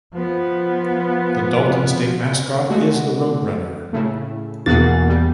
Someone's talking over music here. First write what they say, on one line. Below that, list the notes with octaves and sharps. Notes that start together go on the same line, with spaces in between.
The Dalton State mascot is the roadrunner.
F3 B3
G#3 A3 F#4
A2 C#3 A3
E2 B2 A#3 F#4 G#4 A6
G3